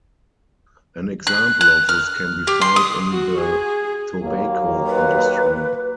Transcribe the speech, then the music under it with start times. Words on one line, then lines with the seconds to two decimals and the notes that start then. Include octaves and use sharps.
An example of this can be found in the Tobacco industry.
1.27 F#6
1.61 F#6
1.89 F6
2.47 G4
2.61 C6
2.76 D#6
3.12 F#4
3.41 G#4
4.23 D#2 F#3 A#3
4.86 B4